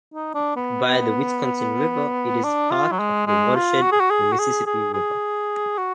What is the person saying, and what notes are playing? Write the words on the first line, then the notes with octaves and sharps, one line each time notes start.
Via the Wisconsin River, it is part of the watershed of the Mississippi River.
D#4
D4
B3
D4
F4
F#3
G#3
G#3
F4
F#4
G#4
F#4
G#4
F#4
G#4
G#4
G#4
F#4